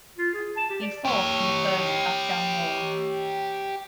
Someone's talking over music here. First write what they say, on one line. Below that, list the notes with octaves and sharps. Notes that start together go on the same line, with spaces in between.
He fought in the First Afghan War.
F4
G#4
A5
G4
D5
G4 C#5